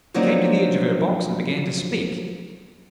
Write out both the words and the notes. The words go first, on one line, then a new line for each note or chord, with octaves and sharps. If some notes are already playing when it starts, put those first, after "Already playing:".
He came to the edge of her box, and began to speak.
F3 F#3 A#3 C4 D4 D#4